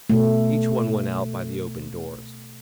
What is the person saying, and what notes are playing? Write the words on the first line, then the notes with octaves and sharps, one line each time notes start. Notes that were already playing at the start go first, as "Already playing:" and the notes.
Each one went out by the open doors.
B2 A3